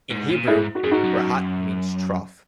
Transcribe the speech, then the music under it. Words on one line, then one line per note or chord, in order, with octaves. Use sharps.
In Hebrew, "rahat" means "trough".
G#2
A#2
G#2 E4 G#4
F#4
F#2 G#4
G#2 D#4 F#4
F#2